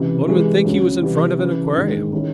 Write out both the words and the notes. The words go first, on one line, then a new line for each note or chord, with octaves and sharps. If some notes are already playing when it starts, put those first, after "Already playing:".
"One would think he was in front of an aquarium!"
Already playing: C#2 C3 E3
C3 E3 G#3
D2 C#3 F#3
C3 E3 G3
C#3 E3 G3
A#1 G#2 D#3 G#3
D#3 G#3 C#4 E4